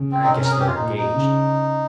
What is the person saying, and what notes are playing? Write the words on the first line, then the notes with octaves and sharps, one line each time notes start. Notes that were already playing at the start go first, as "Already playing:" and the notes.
I guess they're engaged.
Already playing: C#3
C4
D#4
C3 C#4
A#4
G#4
G4
F4
A#2 D#4
D#4
C#3